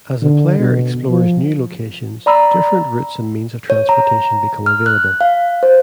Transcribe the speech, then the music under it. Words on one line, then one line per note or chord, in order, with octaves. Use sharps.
As a player explores new locations, different routes and means of transportation become available.
D3
B2
F3
D5 A#5 B5 E6
C#5
A#5
F6
F#6
F5
C5